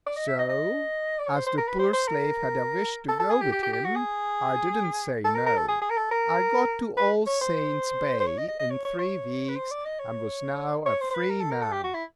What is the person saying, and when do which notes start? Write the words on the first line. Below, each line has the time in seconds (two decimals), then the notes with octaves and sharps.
So, as the poor slave had a wish to go with him, I did not say "no." I got to All Saints' Bay in three weeks, and was now a free man.
0.07 D5
0.16 D#5
0.28 E5
0.39 D#5
0.49 D#5
1.19 D5
1.27 C#5
1.35 C5
1.47 C5
1.57 A#4
1.68 B4
1.79 C5
1.93 C5
2.08 A#4
3.08 A4
3.20 A4
3.31 G#4
3.41 G4
3.52 G4
3.63 G4
3.73 G4
3.84 F#4
3.95 G#4
5.24 A4
5.35 A#4
5.46 A#4
5.57 A4
5.68 G#4
5.82 G#4
5.90 A#4
5.97 A4
6.11 A#4
6.97 B4
7.26 C#5
7.41 C5
8.20 C5
8.26 C#5
8.38 D#5
8.48 D#5
8.59 D#5
8.71 C#5
8.85 C#5
8.99 C#5
9.49 B4
9.56 C5
9.71 D5
9.85 D#5
9.99 C#5
10.86 C#5
11.01 C5
11.11 C5
11.15 B4
11.29 A#4
11.40 A4
11.51 A#4
11.62 A4
11.72 G4
11.84 F#4
11.94 E4